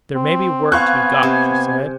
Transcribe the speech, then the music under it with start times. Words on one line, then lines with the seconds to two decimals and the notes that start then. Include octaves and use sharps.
'There may be work to be got,' she said.
0.16 C4
0.72 B3 C4 F5 G#5 C#6 F#6
1.23 C3